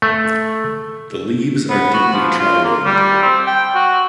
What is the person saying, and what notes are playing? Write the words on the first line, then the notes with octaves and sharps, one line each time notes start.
The leaves are deeply trilobed.
A3
B3
F#4
F3
F4
A#3
G3
C4
G5
F#4